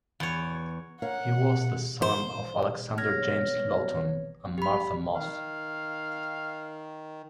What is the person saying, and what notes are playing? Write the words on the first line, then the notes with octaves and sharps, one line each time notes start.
He was the son of Alexander James Lawton and Martha Mosse.
E2 C#5
A#4 C#5 F5 F#5
C5
B3 C#5 F6 G#6 A#6
G4 B5
D#3 F5